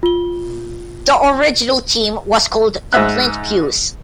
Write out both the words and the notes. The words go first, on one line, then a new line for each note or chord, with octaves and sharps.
The original team was called the Flint Fuze.
F4 G7
G#2 C5 E5 F#6